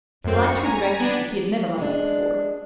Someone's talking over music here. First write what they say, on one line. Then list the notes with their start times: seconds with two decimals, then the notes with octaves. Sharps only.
He liked her directness as he had never liked it before.
0.24 F#2 C4
0.44 C#6
0.65 G#5 A#5
1.00 B3 D4
1.78 G#3 D4